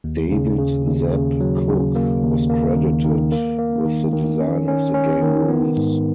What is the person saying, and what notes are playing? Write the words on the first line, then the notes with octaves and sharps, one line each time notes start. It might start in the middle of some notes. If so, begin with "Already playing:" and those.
David "Zeb" Cook was credited with the design of the game rules.
D#2
C#3
C#3
D#2
C#3
F#3
C#3
A#3
D#2
A#3
D#3
D#3
A#3
A#3
D#3
D#3
C#4
C#4
C#4
D#3
B3
G#2